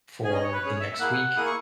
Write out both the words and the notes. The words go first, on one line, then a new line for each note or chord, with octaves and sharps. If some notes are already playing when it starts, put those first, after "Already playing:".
for the next week
C#4 G#4 G#5
D#5
C#5
B4
C#4 G#4 C#5
E5
E5
A#3 E4 G#4 F#5
A#3 E4 G#4 D#6
C#6